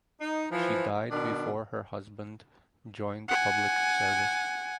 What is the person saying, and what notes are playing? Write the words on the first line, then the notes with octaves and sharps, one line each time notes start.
She died before her husband joined public service.
D#4
E3 F3
B2 D#3 D4
F#5 G#5